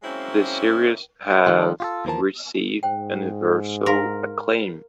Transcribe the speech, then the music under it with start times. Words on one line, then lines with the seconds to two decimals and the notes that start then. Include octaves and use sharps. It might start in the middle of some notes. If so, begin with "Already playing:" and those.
The series has received universal acclaim.
0.03 F#3 G#3 A#3 C4 C#4 E4
1.46 D#3 F3 G3 F4
1.80 F4 G4 A4
2.05 D#2 E3 F3 A#4 A5
2.83 G#2 C5 G5
3.86 A#4 F5 C6